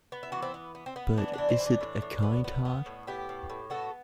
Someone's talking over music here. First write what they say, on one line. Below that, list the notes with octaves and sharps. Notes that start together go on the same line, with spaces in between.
But is it a kind heart?
B3
E4
E3 F#4
C4 E4
B3
B3
C4
B3
E3 D4
E3 D4
C4 E4
E3
D4
A2
A2
B3
B3
B3
A2
B3 E4 G4
A2
A2
B3 F#4 A4